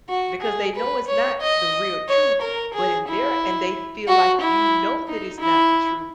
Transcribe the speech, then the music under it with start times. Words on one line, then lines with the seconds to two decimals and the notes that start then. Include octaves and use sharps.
because they know it's not the real truth, but in their and they feel like you know that it's not the truth,
0.09 F#4
0.42 G#4
0.76 B4
1.08 C#5
1.42 D#5
2.08 C#5
2.42 A#4
2.74 G#4
3.08 E4
4.08 F#4
4.41 E4
5.08 D#4
5.40 E4